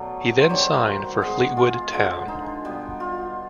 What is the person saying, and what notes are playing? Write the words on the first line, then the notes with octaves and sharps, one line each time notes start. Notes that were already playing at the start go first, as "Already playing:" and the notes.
He then signed for Fleetwood Town.
Already playing: B2 F#3 A3 D5
C5
C3 D#3 G3 C#5
C5
A#4
F#4
B2 G#3
F4
D3 F3 G#3
D#4
B2 G3
F4